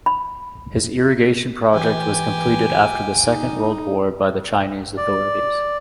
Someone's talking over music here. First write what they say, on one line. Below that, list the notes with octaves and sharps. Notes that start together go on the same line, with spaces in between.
His irrigation project was completed after the Second World War by the Chinese authorities.
B5
E3 G4 G#5
D#4
D5